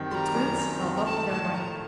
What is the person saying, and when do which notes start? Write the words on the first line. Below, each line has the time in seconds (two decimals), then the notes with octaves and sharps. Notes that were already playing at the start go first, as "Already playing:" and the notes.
The Twins held up their money.
Already playing: F#2 D#3 G3 C4
0.11 G3 A#5 C6
0.35 F#2
0.58 C4
0.82 D#3
0.96 A#5
1.05 A3 A5
1.29 A2 A5
1.53 A2 A#5